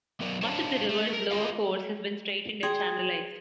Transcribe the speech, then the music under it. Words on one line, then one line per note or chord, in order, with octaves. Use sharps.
Much of the river's lower course has been straightened and channelized.
F#3 B3 A#4 D5
D4 C5 C#5 F5 A5
A3
A#4
F4 D#5 F5
G#4 G5 C6 G#6